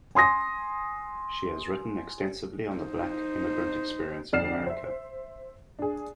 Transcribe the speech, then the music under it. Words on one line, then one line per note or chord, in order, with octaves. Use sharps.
She has written extensively on the Black immigrant experience in America.
G#5 C6 D#6 A#6
D#4 C5
F2 D5 F#5 F6 C7 E7
C5 E5
D4 G#4